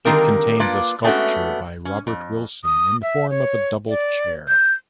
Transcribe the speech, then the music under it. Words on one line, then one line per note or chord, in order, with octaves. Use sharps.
It contains a sculpture by Robert Wilson in the form of a double chair.
D3 D#3 G3 A#3 C4 A#4
A#3 D4 F4 B4 D5
G#3 A3 B3 C#4 D4 F#4
C#4
F2
D#6
E5
C#5
D5
G6